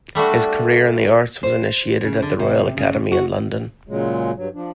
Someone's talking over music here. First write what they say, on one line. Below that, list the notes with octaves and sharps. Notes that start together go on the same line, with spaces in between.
His career in the arts was initiated at the Royal Academy in London.
G3 A3 D4 F#4
C5
C#3
D3
C3
C#3
F#4
A#2 C#3 F#3 G#3
G2 F#3
F3 D4